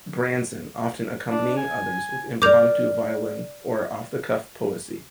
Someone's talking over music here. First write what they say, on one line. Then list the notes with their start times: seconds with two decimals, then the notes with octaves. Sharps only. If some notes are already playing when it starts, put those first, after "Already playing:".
Branson often accompanying others with impromptu violin or off-the-cuff poesy.
1.29 D4
1.57 G#5
2.42 A#4 D5 D6 G6 F7